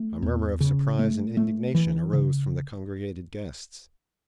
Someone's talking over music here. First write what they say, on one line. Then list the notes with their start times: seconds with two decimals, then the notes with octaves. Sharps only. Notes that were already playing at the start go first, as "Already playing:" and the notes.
A murmur of surprise and indignation arose from the congregated guests.
Already playing: A3
0.22 E2
0.60 C#3
0.99 A3
1.37 A3
1.74 E3
2.13 C#3